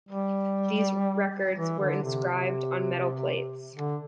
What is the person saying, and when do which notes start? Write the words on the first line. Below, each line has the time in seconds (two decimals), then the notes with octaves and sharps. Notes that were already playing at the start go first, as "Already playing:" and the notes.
These records were inscribed on metal plates.
0.09 G3
1.55 E3
1.79 D3
2.03 C3
2.29 C3
3.75 D3